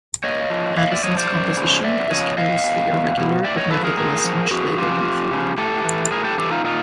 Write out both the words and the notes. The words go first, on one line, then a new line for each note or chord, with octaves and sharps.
Addison's composition is carelessly irregular but nevertheless much-laboured and fingered.
A#2 C#5 D#5
F3
A#2 D#5 F5
D5 E5
F3 C#5 D#5
C5 D5
F#2
C#3 F3
F#2 D5 E5
C#3 F3 C#5 D#5
E2 D#5 F5
B2
E2
B2
A2 D5 E5
C#5 D#5
F3 A4 B4
G#4 A#4
A2 G#4 A#4
F3
F2 F#4 G#4
C#3 F3 F4 G4
F2
C#3 F3
A2 G4 A4
E3
A2 G#4 A#4
G4 A4
E3 G4 A4
D#4 F4
A#2 D#4 F4